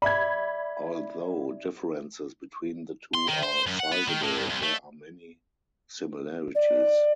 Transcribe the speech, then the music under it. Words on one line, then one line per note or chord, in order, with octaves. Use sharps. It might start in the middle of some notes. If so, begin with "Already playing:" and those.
Although differences between the two are sizeable, there are many similarities.
D5 E5 B5 G#6
C6
D#3
C5
F#2
F#5
B3
D#3
A2
G2
C2
A3
D5